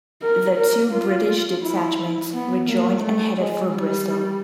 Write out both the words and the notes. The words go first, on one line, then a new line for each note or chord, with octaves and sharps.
The two British detachments rejoined and headed for Bristol.
A#4
A#4
F4
E4
B3
A#3
A3
G#3
G3